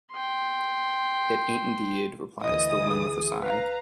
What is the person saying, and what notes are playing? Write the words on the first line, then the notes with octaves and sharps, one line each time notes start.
"It ain't indeed," replies the woman with a sigh.
G5 C6
D2 E3 D#5 D#6
G#4
B4 F5 A#5